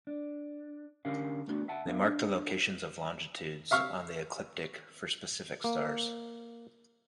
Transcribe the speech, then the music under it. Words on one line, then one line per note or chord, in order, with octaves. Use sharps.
They mark the locations of longitudes on the ecliptic for specific stars.
D4
D3 C#4 G4 A#4 F5
A3 B3 D4 F#4
E5 F#5 A5
B3 D4 A#4 E5 F5
D4
E5 F5 C#6 F6
A#3